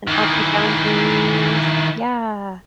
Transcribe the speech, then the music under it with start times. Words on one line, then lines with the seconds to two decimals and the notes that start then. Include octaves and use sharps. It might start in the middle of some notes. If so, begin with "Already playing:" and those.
And healthy boundaries, yeah.
0.07 D#3 E3